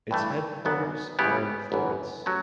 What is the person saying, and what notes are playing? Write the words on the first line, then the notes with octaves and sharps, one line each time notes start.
Its headquarters are in Florence.
G2 E3 A3
F#2 C#3 F#3 B3 D4
C#3 G3 B3 E4 G4
G1 F#2 E3
F#3 A3 C#4